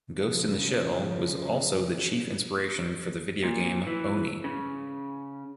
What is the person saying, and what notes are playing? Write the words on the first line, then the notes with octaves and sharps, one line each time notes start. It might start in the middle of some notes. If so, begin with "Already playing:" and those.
"Ghost in the Shell" was also the chief inspiration for the video game "Oni".
C#3 F3
A#2
E3
C#3